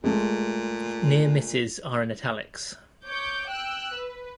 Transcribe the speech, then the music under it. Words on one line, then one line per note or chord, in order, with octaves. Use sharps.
Near misses are in italics.
A#2 G#3 A3
C#5 D6 G6
G5 E6 F#6
B4